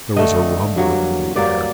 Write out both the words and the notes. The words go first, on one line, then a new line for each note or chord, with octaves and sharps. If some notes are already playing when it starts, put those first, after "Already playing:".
There was a rumbling in the air.
D3 A3 D#5
G2 F#3 A#3
G2 F#3 A#3 D5